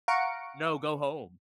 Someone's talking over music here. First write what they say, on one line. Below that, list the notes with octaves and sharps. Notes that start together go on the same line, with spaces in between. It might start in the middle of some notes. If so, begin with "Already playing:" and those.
"No, go home.
F5 F#5 A#5 C#6 C#7 D7